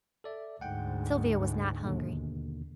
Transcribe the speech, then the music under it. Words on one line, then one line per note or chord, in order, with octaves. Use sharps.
Sylvia was not hungry.
A4 D5 E5
D2 G#2 F#5 G5
D#2 B2 D3